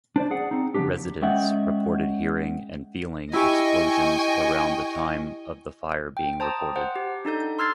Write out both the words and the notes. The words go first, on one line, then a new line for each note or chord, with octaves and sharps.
Residents reported hearing and feeling explosions around the time of the fire being reported.
D4 C5 D5
G#4 D5 F#5
C4 D#4
C#3 F3 A3 B3 D4 G4
G#3 C#4 E5 F#5 G5
E4 G4 D#5 G5 G#5 C#6
G5
C5 A5 A#5 D#6
C5 F#5
G4
D4 D#4 A4 G6
C6 E6 F6 G#6 A6 C7